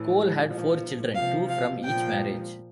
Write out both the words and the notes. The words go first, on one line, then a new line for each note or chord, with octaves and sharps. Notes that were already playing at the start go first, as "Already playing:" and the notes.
Cole had four children, two from each marriage.
Already playing: A2 E3
A#2 F3
C3 F3 F5
F5
A#2 F3 G5